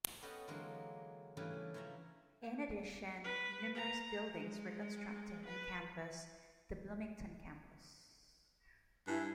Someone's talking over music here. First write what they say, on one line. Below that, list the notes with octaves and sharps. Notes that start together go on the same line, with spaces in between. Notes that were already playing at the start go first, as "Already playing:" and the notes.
In addition, numerous buildings were constructed on campus the Bloomington campus.
B3 C#4 G4 A4 D#5 F#5
D3 E3 F#3 G#3 A#3 C4
C#3 E3 G3 A3 D4
E3 F3 C#4 E5 A#5
B4
A#5
G#3
B4
G2 E4 G#5 F#6